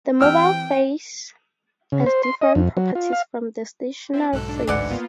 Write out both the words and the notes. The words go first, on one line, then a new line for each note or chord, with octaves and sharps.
The mobile phase has different properties from the stationary phase.
E3 C4 G4 G5 E6 F6
C#3
C5
C6
D#5
F2
F#3
F4
F5
C4 E4
B1 G#2 A4 F#6
D4
A1 D2 G#2 E3 D5 F#5
A#3 B3 F4